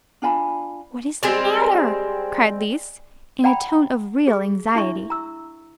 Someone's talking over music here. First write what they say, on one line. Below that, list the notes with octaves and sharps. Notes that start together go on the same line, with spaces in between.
"What is the matter?" cried Lise, in a tone of real anxiety.
D4 F4 G#5 B5
G3 G#3 C4
D5 F#5 G5 A#5 B5
G#4
D4 E4 E5 C#6
A#5 E6